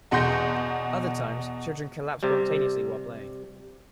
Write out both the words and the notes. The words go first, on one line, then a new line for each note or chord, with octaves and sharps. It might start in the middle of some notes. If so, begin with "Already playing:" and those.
Other times, children collapse spontaneously while playing.
E2 B2 F#5 C6 G6 A#6
C3 G3